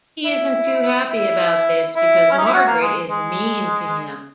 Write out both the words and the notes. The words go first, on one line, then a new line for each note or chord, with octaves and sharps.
He isn't too happy about this, because Margaret is mean to him.
E4
E4
E4
C#4
D#4
E4
F#4
A#3
G#3
G#3